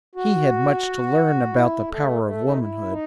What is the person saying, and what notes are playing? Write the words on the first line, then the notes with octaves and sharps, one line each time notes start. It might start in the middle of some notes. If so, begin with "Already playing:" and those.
He had much to learn about the power of womanhood.
F#4
E4
A3
A3
D#4
E4
D#4